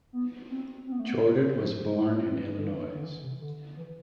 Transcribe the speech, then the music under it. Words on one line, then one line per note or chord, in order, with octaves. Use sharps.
Jordan was born in Illinois.
B3
C4
C4
B3
A3
B3
F3
G#3
E3
D3
E3
D3
E3
C3
D3
E3